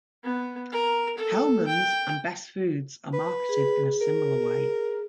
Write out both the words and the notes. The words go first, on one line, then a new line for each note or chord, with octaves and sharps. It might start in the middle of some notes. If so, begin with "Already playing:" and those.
Hellmann's and Best Foods are marketed in a similar way.
B3
A#4
A4
G5
B4
G#4
A#4